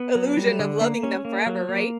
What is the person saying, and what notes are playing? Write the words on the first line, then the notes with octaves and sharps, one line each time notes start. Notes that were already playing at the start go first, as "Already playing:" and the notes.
illusion of loving them forever, right?
Already playing: B3
F#3
G3
D3
A#3
C#4
A#3
F#3
A#3